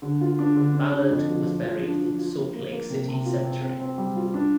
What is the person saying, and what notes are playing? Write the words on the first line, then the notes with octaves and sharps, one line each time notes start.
Ballard was buried in Salt Lake City Cemetery.
D3
F4
D4
D3
D4
D4
F2
F3
F3
F3
D4
F3
F4
A#3
A#3
A#3
C3
C3
F4
C4
C4
C4
G3
F4
D4